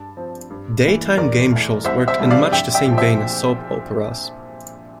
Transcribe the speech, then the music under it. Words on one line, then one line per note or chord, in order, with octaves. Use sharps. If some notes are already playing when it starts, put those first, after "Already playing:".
Daytime game shows worked in much the same vein as soap operas.
Already playing: G2 A5
F3 C4
G2
E3 A#3
E2 A#4 D5
E3 A3
C2 C5 E5
C5 E5
C3 E3 G3 D4
D5 F5
A#1 E5 G5
E5 G5
A#2
F3
C5 E5